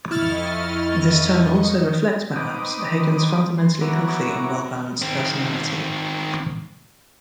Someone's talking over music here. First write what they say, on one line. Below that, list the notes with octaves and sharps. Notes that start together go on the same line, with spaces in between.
This tone also reflects, perhaps, Haydn's fundamentally healthy and well-balanced personality.
F2 E4 D#5 C#6 F6 A6
C4 D#4 B4 D6 D#6
C6
B3 E4 F#4 C#5 A#5 D6
D#3 C4